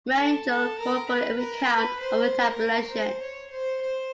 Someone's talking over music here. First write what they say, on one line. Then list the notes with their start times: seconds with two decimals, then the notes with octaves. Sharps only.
Rangel called for a recount of the tabulation.
0.18 A4
0.48 A4
0.79 A#4
1.09 B4
1.39 A#4
1.69 B4
1.99 C5
2.44 A#4
2.90 C5
3.21 C#5
3.50 C5
3.81 C5